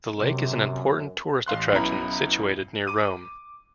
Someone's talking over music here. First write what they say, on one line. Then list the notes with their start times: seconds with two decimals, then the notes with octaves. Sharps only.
The lake is an important tourist attraction situated near Rome.
0.18 F#2 C3
1.46 A1 F5 C6 F#6
1.72 B1 B3 C#4 E4 A#5 B5
2.87 D6 D#7